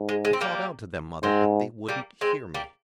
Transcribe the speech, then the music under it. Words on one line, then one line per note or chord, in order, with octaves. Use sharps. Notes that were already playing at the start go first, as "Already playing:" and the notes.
"I called out to them, mother, but they wouldn't hear me."
Already playing: G#2
G#3
G#3
C4
G3 A#3
G#2 G#3 C4
G3 A#3
G#3 C4
G3 A#3